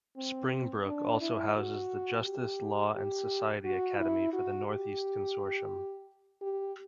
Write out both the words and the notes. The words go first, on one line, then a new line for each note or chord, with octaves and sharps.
Springbrook also houses the Justice, Law and Society Academy for the Northeast Consortium.
C4
D4
E4
F#4
G4
G4
F#4
E4
F#4
G4
G4